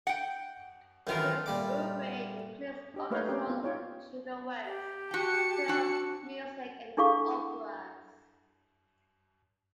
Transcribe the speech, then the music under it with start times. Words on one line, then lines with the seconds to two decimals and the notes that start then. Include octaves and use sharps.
His oeuvre includes orchestral and chamber works, film music and operas.
0.07 F#5 G5
1.07 F#2 D#3 E3 A3 F4 A#4
1.46 A#2 G3 D6
2.94 D4 G4 D#5
3.11 A3 A#3 B4 C#5 F5
3.28 C4 C#4 G4 A#4 D5
3.47 B3 F4
3.62 D#4 F4 G#4 C#5 D5 G5
4.65 G4
5.11 F#4 G5 A5 C#7
5.68 D4 F#4
6.97 D4 E4 G#4 A4 F5 C#6